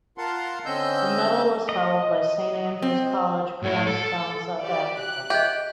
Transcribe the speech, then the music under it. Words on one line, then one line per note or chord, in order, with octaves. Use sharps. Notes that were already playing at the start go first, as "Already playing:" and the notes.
The medal was held by Saint Andrew's College, Grahamstown, South Africa.
F4 A#4 F5 F#5 A5 C6
D3 C4 C#4 D#5 E6 G6
D#5
C4
A2 E4
A4
A4
F#4 G4 D5
F#6
G4 D#5 E5